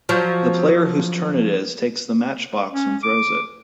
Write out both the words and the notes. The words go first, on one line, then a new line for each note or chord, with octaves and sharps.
The player whose turn it is takes the matchbox and throws it.
F3 F#3
C#4
D6